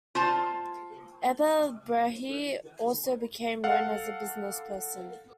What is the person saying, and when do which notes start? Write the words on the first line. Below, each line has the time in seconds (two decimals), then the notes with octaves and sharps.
Ebba Brahe also became known as a business person.
0.15 F4 C5 A5
3.64 A4 F5 F#5